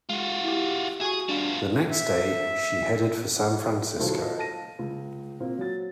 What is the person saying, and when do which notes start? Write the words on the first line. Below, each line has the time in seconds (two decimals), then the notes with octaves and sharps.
The next day, she headed for San Francisco.
0.09 G#3 F4 F#4
0.44 E4 G4
1.01 F#4 G#4 G#5 C#6
1.29 G3 D4 F4
1.90 E5
3.99 D1 B1 B2 F4 A4 C5
4.20 F4 A4 D#5 F5
4.38 F5 A5 A#6 D#7
4.79 C#2
5.40 A#2 A#3 C4
5.58 F#3 A6